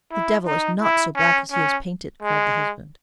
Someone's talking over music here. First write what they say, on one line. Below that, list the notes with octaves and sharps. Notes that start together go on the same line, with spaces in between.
"The devil is not so black as he is painted," cried the husband.
E4
D#4
E4
C#4
C#4
G#3